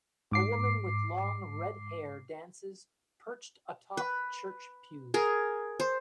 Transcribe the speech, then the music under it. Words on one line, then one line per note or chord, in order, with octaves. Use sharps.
A woman with long, redhair dances, perched atop church pews.
G#2 D6 C7
B4
G#4 A#4
C5